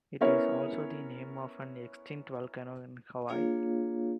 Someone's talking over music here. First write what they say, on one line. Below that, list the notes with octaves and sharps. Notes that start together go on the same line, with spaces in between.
It is also the name of an extinct volcano in Hawaii.
B3 C#4 E4 A#4 C#5
A#3 D4 F4 G#4 C#5 F5